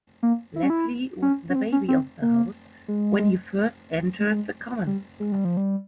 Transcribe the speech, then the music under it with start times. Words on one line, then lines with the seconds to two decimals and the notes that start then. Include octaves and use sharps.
Leslie was the Baby of the House when he first entered the Commons.
0.23 A#3
0.56 E4
0.63 C#4
0.70 E4
1.22 C#4
1.49 C#4
1.56 C4
1.72 C#4
1.88 C4
2.22 A#3
2.88 G#3
4.20 G#3
4.87 G3
5.20 G#3
5.32 G3
5.45 F3
5.57 G3